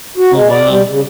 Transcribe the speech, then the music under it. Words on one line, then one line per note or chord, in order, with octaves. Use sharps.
Oh, wow.
F#4
G#3
D5
G3
C#3